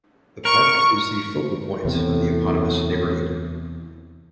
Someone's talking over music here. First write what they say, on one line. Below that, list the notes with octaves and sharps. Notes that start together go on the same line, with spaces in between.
The park is the focal point of the eponymous neighborhood.
A#4 C#6
E2 A2 C3